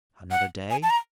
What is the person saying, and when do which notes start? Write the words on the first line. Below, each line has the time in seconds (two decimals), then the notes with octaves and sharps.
Another day?
0.31 F#5
0.70 G#5
0.83 A5
0.90 A#5